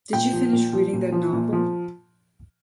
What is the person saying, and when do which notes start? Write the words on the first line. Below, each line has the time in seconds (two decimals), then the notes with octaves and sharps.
Did you finish reading that novel?
0.13 A#2 G5
0.33 F3
0.53 A#2
0.73 F3
0.93 A#2
1.12 F3
1.33 A#2
1.53 F3